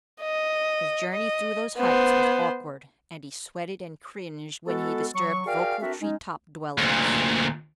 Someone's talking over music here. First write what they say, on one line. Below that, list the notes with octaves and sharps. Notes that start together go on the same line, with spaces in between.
His journey through those heights was awkward and he sweated and cringed when he disturbed vocal treetop dwellers.
D#5
D#5
B3 C5
G#3 B3 F#4 A4
F#3 C#6
F#4 G#4 A#4 D5 F5 G5
C4 D4 F#4 A4 A#4 E5
G#3 C#4 D#4
D2 A#2